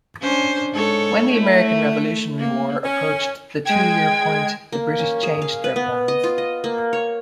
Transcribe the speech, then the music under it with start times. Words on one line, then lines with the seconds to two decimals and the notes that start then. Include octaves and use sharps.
When the American Revolutionary War approached the two-year point, the British changed their plans.
0.21 C#4 D4 C5
0.72 G#2 A4 C#5
1.31 A3 E4
2.38 A#3
2.84 C#4
3.65 G#3 G5 G#6
4.72 A#3
5.00 C#4
5.23 G#4
5.42 F5
5.64 B4
5.76 B3
6.08 D#5
6.24 F4
6.38 D#5
6.64 A#3
6.93 C#5